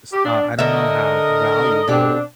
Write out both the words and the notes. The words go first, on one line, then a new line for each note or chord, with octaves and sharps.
s uh, I don't know how valuable,
G4
D4
D3 A#4 D#5 E5
B2 C4 D4 G4